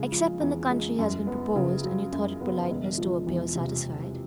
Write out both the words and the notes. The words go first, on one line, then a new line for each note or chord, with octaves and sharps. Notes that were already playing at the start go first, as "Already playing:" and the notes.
"Except when the country has been proposed, and you thought it politeness to appear satisfied."
Already playing: C#3 G#3
F3
E2
G#3
F#2
B3
C#3
F#3
F#2
B3
E1
F3
E2
C3